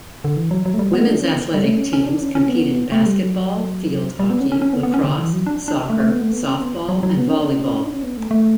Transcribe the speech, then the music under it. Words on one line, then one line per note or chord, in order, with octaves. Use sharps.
Women's athletic teams compete in basketball, field hockey, lacrosse, soccer, softball and volleyball.
D3
E3
F#3
F#3
A3
G3
B3
D4
C#4
B3
G3
A3
C#4
C#4
D4
C#4
C#4
B3
A3
G3
F#3
G3
B3
C#4
C#4
C#4
B3
B3
C#4
D3
E3
F#3
D4
D4
A3
A3
B3
A3
B3
C#4
B3
F#3
F#3
B3
C#4
D4
C#4
D4
C#4
B3
A3
A3